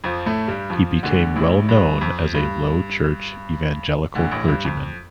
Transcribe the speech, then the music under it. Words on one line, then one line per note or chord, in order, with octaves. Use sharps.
He became well known as a low church evangelical clergyman.
F2 F3
A2 A3
G2 G3
F2 F3
D2 D3
A1 A2
G2
F2
G2
D2 D3
A1 A2
G2
F2